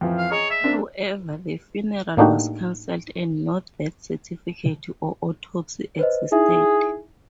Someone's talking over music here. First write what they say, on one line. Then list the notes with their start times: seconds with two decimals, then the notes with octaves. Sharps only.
However the funeral was canceled and no death certificate or autopsy existed.
0.01 F2 E3 F3
0.18 F5
0.31 G#4 C#5 D#5 A#5
0.50 E5
0.64 C4 D4 A#4
2.17 A2 A#3 D4 D#4 F#4 G4
5.99 B4 C5 D#5
6.32 D#4 E4 G#4 E5